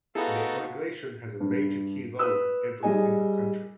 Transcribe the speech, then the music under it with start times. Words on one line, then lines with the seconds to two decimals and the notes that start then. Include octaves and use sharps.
Net migration has a major key role in every single country.
0.15 B3 D#4 E4 F#4 G#4 A4 F5
1.40 G2
2.19 B4 D#6 E6 F#6
2.83 G3 G#4 D#5 G#5